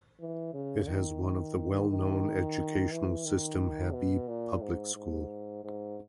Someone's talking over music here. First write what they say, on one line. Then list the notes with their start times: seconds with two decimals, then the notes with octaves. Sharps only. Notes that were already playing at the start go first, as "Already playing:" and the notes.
It has one of the well known educational system Habib Public School.
0.20 E3
0.53 C#3
0.87 D#3
1.90 D#3
2.91 E3
3.25 D#3
3.93 B2
4.28 A#2
4.61 G#2
4.95 G#2
5.64 G#2